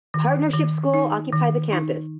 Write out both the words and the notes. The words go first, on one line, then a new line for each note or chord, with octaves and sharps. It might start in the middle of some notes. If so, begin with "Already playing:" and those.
Partnership School occupy the campus.
D#3
D#3
D#4
D#3
D#4